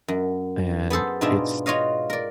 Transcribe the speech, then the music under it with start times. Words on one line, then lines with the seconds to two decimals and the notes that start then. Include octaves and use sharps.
and it's
0.08 F#2
0.90 B3 G#4 A4 C5
1.21 G#2 B2 D4 F4 G#4 E5
1.66 F4 F#4 C#5 D#5 F5
2.10 A#4 D5